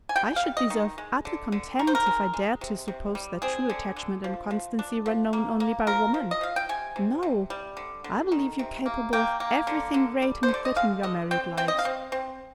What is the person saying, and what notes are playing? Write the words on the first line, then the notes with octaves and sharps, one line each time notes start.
I should deserve utter contempt if I dared to suppose that true attachment and constancy were known only by woman. No, I believe you capable of everything great and good in your married lives.
G#5
G3 G5
F5
G3
D#5
D#3
G#3
D3
D3
D#3 A#4
C5
A#4
G#3
G#3
C3
C3
G3
C4 G#4
D3
D3
F3
F3
D4
F3
A#3
A#3
F3 A#4
F3
D#5
F3 F5
G5
C3 G#5
C3
C3
G3
D3
D3
D#3
C3
A#3
A#3 G5
A#3
D3
D3
G3
C5
D3
D5
D#5
G#3 F5
D3 D#5
C4 G5
C4 G5
D#5
F5
C4
C4